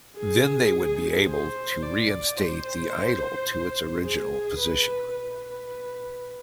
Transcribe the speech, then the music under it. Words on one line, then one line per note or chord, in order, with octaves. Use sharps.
Then they would be able to reinstate the idol to its original position.
G#4
C5
D5
C5
G#4
B4
B4